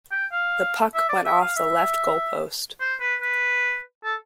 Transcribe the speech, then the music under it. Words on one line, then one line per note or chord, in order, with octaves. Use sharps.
The puck went off the left goal post.
G5
F5
E5
D5
E5
F5
E5
C5
B4
B4
A4